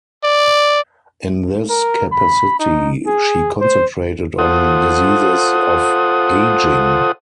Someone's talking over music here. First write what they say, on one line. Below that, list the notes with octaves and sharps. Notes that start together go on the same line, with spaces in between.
In this capacity she concentrated on diseases of ageing.
D5
A#4
B5
D#4
G#4
C5
F4 A4 C5 F#5 D#6